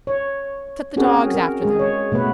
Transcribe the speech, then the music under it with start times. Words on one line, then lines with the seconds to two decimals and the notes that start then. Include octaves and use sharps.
'Set the dogs after them.'
0.07 C#5
0.96 C4 C#4 F#4 G#4 A#4
1.34 A#4
1.62 G#3 G#4
1.79 C#5
2.12 B2 A3 B3 B4